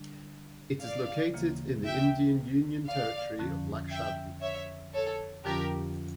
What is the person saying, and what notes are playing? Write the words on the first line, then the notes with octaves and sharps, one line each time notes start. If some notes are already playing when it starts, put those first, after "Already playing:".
It is located in the Indian Union Territory of Lakshadweep.
Already playing: D3 G3 D4
D5 F5
D2 C#3 E3 A#3
E5 G5
D5 F5
F2 D3 F3 C#4
E5 G5
C#5 E5
A4 C#5
F2 D3 F3 C#4 F4 G4 A#4